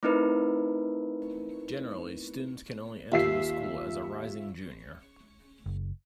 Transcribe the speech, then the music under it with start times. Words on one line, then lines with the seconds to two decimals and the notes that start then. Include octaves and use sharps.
Generally, students can only enter the school as a rising junior.
0.03 A3 C4 D#4 E4 A#4 B4
3.12 D#2 F4 E5 C7
5.66 F#1